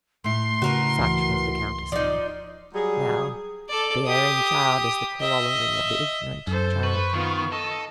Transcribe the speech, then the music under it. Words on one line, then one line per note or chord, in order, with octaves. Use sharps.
Such was the countersign. Now, the erring child is the corollary of the ignorant child.
A2 E4 C6
C#3 F#4 A#4 B4
C#2 G#2 E3
F3 D#4 D5
F#3 G3 G#4
A4 D5
G4 D#6
D#5 E5
F#2 A4 C5
B4 C#6
D#3 B3 F4
A4 D#5